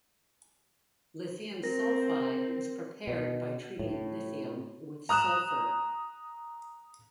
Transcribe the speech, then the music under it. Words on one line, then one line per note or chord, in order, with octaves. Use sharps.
Lithium sulfide is prepared by treating lithium with sulfur.
C4 A#4 A#6
B2
A2
A#5 D#6 F#6 E7